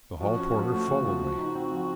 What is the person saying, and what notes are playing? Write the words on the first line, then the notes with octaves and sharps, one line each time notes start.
The hall porter followed me.
F3 F#4
C#4
F3
A3 F#4
C#3
F3
F3 F#4
D#4
C4
F3